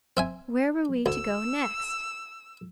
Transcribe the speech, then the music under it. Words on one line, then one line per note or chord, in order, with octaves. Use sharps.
Where were we to go next?
C4 E5 G#5
D2 E6